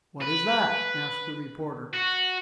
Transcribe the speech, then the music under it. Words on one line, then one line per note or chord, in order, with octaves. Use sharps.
"What is that?" asked the reporter.
B4
F#4